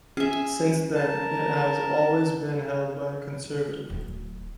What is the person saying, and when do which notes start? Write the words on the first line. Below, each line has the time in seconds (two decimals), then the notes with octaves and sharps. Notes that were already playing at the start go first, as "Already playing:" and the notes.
Since then, it has always been held by a Conservative.
0.17 C#4 G#4 E5
0.95 A#4 A5
3.90 D1 F#3